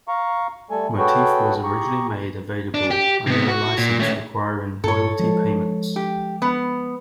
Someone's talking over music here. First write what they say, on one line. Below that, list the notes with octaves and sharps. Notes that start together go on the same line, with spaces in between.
Motif was originally made available under a license requiring royalty payments.
F5 A#5 C#6
G3 A3 A4 G#5
F#4 G#4 A4 B4 C#5 G5
G4 G#4 A#5 C#6
D4
G4
C3 B3
F#4
A#2
A3 C#4
G2 A4 C#5
F3 G#3
G4
B3